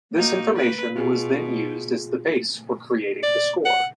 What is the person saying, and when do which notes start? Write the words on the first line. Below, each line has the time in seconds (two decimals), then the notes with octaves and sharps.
This information was then used as the base for creating the score.
0.17 A#3 D#4 F#4 G6
0.56 B4
0.96 B2 F4 G#4
3.23 D5
3.65 F#5